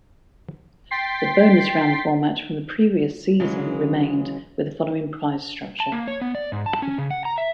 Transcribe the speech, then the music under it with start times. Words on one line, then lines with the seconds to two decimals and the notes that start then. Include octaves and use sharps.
The bonus round format from the previous season remained, with the following prize structure.
0.91 G5 C6 A6 B6 C7
3.40 C#3 E3 F#3 G#3 C#4 G#4
5.80 A5
5.92 A#3
6.07 C#5
6.21 B3
6.35 D5
6.52 G#2
6.66 A5
6.82 C#4
6.98 C#3
7.11 F#5
7.25 A#5
7.38 E5